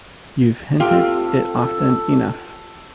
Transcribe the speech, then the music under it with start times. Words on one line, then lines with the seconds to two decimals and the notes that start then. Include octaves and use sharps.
You've hinted it often enough.
0.80 C4 F4 G4 A4